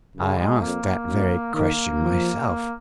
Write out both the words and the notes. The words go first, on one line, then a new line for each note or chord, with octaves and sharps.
I asked that very question myself.
F#2 C#3
G#3
F2 A#3
F#2
D#3 A#3
F3
A#3